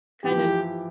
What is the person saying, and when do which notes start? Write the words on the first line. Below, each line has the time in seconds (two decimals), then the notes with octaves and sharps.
kind of
0.24 E3 G4
0.31 F3
0.38 E3